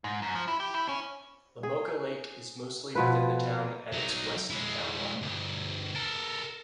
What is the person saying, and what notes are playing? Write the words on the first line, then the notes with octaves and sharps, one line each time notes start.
Lamoka Lake is mostly within the town at its west town line.
G#2
F#2
F3
E4
G4
E4
C#4
G#4
B2 F3 B4
F#3 D#4
G#3 E4
D2 G2
A4 A#4